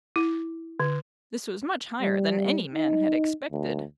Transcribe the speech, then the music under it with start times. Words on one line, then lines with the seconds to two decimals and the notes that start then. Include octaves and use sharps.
This was much higher than any man had expected.
0.16 E4
0.80 D3
2.02 G3
2.73 D#4
3.52 D2